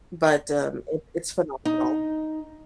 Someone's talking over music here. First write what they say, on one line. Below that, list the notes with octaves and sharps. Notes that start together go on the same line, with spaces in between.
but, um, it it's phenomenal.
D#4